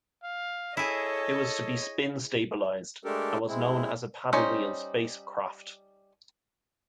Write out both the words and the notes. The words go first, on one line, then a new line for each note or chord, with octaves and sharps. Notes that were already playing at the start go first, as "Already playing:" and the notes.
It was to be spin-stabilized, and was known as a 'paddlewheel' spacecraft.
F5
E4 G#4 A4 C#5 D#5
G#3 A3 D4 G4 A4 A#4
G#3 C4 E4
G3 C#4 D#4 C5